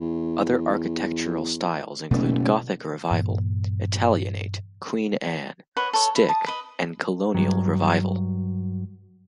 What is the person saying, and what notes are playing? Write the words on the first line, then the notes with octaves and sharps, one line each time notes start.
Other architectural styles include Gothic Revival, Italianate, Queen Anne, Stick and Colonial Revival.
E2
F#1 B2 A3
G2 A#2 E3 A#3
B4 C#5 D#5 F#5
A4 C#5
E4
A5 D#6
B4 D#5
G2 F#3